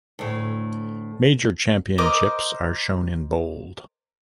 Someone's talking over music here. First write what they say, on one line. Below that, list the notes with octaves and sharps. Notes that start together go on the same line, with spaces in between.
Major championships are shown in bold.
D2 A2
A#4 C5 D#5 D6